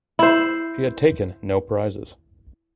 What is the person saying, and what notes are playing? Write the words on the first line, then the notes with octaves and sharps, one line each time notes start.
She had taken no prizes.
E4 C5